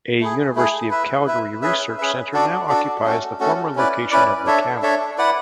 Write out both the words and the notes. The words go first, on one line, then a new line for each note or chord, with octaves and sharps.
A University of Calgary research centre now occupies the former location of the camp.
A3 E4 G#4
A3 E4 G#4
E4 B4 E5
E4 B4 E5
C#4 G#4 B4 E5
C#4 G#4 B4 E5
D4 F#4 A4 D5
D4 F#4 A4 D5
A3 C#4 F#4 A4
A3 C#4 F#4 A4
C#4 E4 B4 D5
C#4 E4 B4 D5
D4 A4 C#5 E5
D4 A4 C#5 E5
E4 B4 D5 F#5